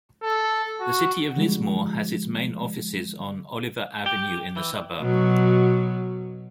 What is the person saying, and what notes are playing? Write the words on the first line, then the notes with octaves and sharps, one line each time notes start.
The City of Lismore has its main offices on Oliver Avenue in the suburb.
A4
F#4
D3 F3 G3 G#3
G4
E3
B2 F#3